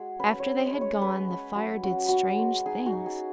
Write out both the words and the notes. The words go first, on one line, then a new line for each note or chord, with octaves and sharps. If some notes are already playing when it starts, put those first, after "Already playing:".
After they had gone, the fire did strange things.
Already playing: G#3 F#4 G#4
C#4 B4
C#5
C#4
D#5
G#3
C#5
C#4 B4
C#4
F#3
C#4 F#4
C#4 F#4
G#3
D#4 G#4
F#4
D#4
G#4